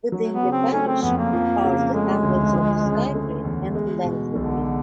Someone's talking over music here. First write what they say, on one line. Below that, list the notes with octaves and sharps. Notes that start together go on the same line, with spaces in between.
Within the parish are the hamlets of Skye Green and Langley Green.
F#3
B3
C#3
C4
A3 C#4
C4
F2 B3
A#3
F3
C#3
G#3 A3
D2
F3
C#3
A3
E2
G#3
B2
B1 D3